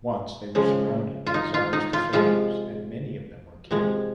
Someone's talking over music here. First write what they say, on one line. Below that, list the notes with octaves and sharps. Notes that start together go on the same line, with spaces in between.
Once they there surrounded by Tsarist soldiers and many of them were killed.
C#3 F3 G#3
F4
D#4
F4
D#4
F4
C3 F3 G#3 F4
C3 F3 G#3